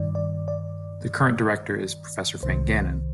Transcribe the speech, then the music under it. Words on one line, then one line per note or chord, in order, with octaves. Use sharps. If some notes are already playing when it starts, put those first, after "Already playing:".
The current Director is Professor Frank Gannon.
Already playing: G2 D#3 D5
D5
D5
C2 C3 D#3 C5